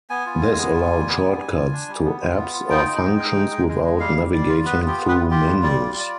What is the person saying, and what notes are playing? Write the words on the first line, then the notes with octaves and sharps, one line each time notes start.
This allowed shortcuts to apps or functions without navigating through menus.
B3 G#5
F4
G#3
B3
F4
G3
B3
G3
G3
F4
D4
G3
B3
F4
B3
F4
D#4 G5
D#4
G#3
D#4
G#3
G#3
G#3
G#3
G3 F5
G3
G3 D5
F4
B3 B4
F4
G4
B3
B4
F4
F4 G4
G3
G3 D5
F4
F4